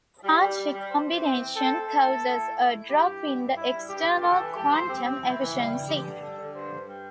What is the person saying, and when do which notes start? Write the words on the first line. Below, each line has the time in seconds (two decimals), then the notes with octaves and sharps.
Charge recombination causes a drop in the external quantum efficiency.
0.23 G3 G4
0.40 G3
0.57 G3
0.74 G3
0.90 G3 C5
1.07 E3
1.23 C4
1.40 C4
1.56 A4 C5
1.73 A3
1.89 A3 A4
2.07 E4
2.23 A2
2.39 A3
2.56 E4
2.73 E4
2.89 G2 G4
3.06 G2
3.23 G2
3.39 G2
3.55 G2 E4
3.72 G3
3.89 G2 G4
4.06 G2
4.22 G4 A4
4.39 E3
4.55 G4 A4
4.72 C5
4.88 C4 G4
5.05 C4
5.22 C4 E4
5.38 E3
5.55 G3 E4
5.72 G2
5.88 G2 G4
6.05 D3
6.22 G3 A4
6.38 D3
6.55 G2 C5
6.72 G2
6.88 G3